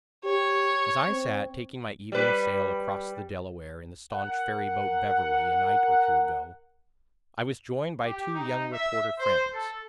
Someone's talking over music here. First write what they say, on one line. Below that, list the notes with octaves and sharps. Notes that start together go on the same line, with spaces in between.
As I sat taking my evening sail across the Delaware in the staunch ferry-boat "Beverly," a night or two ago, I was join'd by two young reporter friends.
G4 C#5
C4
G3 B4
A#4 F#5
G4
D#4
E5
C5
A4